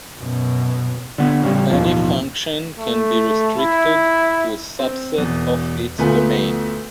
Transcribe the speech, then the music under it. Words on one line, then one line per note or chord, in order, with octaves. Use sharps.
Any function can be restricted to a subset of its domain.
F#2 B2
D3 B3
A1 C#3 F#3 G3
A1 D#2 B2 F3
A3
E4
C4
E1 E2
D2 A3 B3 F4 B4 G#5